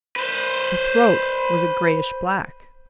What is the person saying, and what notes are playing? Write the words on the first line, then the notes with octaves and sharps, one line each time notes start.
Her throat was a grayish-black.
B4 C5